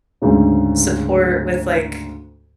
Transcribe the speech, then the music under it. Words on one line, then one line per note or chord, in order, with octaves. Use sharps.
support with, like
D2 G#2 C#3